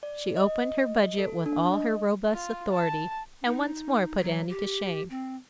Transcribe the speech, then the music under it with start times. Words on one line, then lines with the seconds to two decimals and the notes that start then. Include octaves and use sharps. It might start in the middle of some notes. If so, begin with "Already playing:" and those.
She opened her budget with all her robust authority, and once more put Annie to shame.
0.03 D5
0.37 D#5
1.18 A4
1.46 D4
1.74 D#5
2.32 F4
2.72 A5
3.45 D#4
4.21 F#3
4.50 G4
5.10 C4